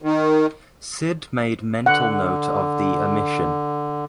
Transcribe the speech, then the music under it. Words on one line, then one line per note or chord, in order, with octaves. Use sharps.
Sid made mental note of the omission.
D#3
D3 F#5